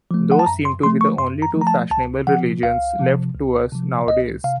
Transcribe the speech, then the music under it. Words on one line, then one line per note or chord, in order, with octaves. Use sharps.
Those seem to be the only two fashionable religions left to us nowadays.
F3 A3
F#5
A5
F#2 A#5
C6
F3 A3 C6
C#6
F#2 C6
A#5
F3 A3
A#5
A5
C#2 A5
C3 F3 F#5
C#2 F5
C3 F3
C#2
C3 F3
C#2 D#5
C3 F5